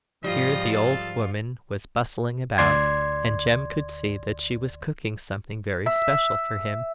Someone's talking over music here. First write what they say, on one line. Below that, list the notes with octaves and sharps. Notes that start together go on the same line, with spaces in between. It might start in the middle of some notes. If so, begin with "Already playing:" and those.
Here the old woman was bustling about, and Jem could see that she was cooking something very special for him.
G#2 F3 G3 F4 D#5
A4
D2 D5 C6 G#6
E5